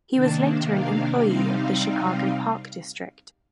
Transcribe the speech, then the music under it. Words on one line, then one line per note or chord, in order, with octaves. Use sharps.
He was later an employee of the Chicago Park District.
C3 D#3 A#3 D4 A5
F5
C3 G3 C4 D#4 F5